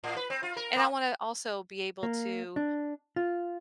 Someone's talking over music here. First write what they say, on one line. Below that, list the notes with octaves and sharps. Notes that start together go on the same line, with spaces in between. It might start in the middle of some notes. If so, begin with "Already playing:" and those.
and I wanna also be able to,
A2
B4
C4
F4
A#4
A#3
A#3
D4
F4